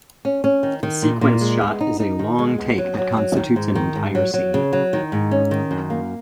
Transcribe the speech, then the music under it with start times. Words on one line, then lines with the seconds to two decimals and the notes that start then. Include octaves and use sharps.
A sequence shot is a long take that constitutes an entire scene.
0.25 C#4
0.44 C#4
0.63 D#3
0.83 D#3
1.02 A#2
1.21 A#2
1.41 G#3
1.61 B3
1.81 D#4
2.00 D#4
2.19 D#3
2.39 G#3
2.58 B3
2.78 F#3
2.98 F#3
3.17 F#3
3.37 D#3
3.56 G#2
3.75 D#3
3.95 G#2
4.15 F#3
4.34 F#3
4.54 C#3
4.73 F#3
4.93 D#3
5.12 G#2
5.31 C#4
5.51 D#3
5.71 F#2
5.90 A#3